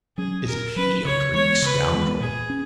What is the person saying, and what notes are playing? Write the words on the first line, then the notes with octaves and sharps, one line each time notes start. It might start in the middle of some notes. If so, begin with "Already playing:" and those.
Isn't he a greedy scoundrel?
F#3 C#4 G#4
A#2 A#4
F#3 C#4 B4
C#3 C#5
E3 G#3 B3 C#5
C#3 B4
E3 G#3 B3
A#2 G#4
C#4